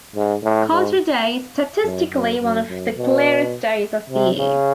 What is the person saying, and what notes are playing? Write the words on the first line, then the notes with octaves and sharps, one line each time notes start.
Culture Day is statistically one of the clearest days of the year.
G#2
A2
G#2
F#2
F#2
F#2
F#2
B2
C3
C#3